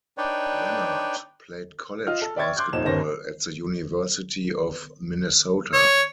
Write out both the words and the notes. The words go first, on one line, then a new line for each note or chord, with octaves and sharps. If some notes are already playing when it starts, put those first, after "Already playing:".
Lenard played college basketball at the University of Minnesota.
D4 D#4 B4 C#5 D5 G5
F4 D#5 F6
A4
D5 E5 G5 C#6 G#6 A6
C6 D6 F#6 G6
D#1 F2 C4 D#4 E7
G1 D#2 C#4 C5 A#6
C#5